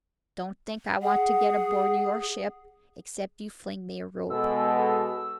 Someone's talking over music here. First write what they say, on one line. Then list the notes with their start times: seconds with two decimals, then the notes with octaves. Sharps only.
Don't think I want to get aboard your ship, except you fling me a rope.
1.02 G#4 F#5
4.30 B2 G#3 A4 E6